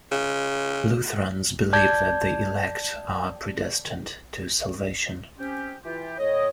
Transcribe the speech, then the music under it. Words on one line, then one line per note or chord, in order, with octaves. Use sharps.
Lutherans believe that the elect are predestined to salvation.
C#3
D5 A5 G6 G#6
C4 C#4 G4
E3 F4 G4
A2 C#5 D#5